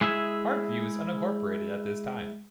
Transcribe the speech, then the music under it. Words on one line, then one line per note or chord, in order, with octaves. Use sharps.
Park View is unincorporated at this time.
G#3 E4 G#4 E5